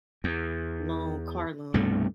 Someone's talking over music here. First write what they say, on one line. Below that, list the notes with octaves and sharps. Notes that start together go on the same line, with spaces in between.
loan car loan,
E2
C2 G2 B2 A3